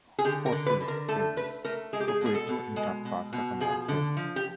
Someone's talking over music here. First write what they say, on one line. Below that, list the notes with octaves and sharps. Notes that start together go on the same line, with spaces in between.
Port Phillip Ferries operate two Incat fast catamaran ferries.
G#4
D3 G4
A#4
D3
B4
D3
A#4
A3 A4
A3 B4
A3 A#4
G#3 G#4
G4
G#4
B2 G#4
A4
B2
G#3
B2
B2
F3 G#4
D3
F3
G4